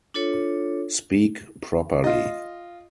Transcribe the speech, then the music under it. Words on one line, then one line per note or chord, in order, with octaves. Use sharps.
Speak properly.
D4 F4 A4 C#5
F4 D#5